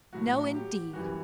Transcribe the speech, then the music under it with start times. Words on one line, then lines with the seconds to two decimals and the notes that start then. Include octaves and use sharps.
No, indeed!
0.13 A2 F#3 A3 F#4
0.54 G4
0.93 F#2 E3 G3 F#4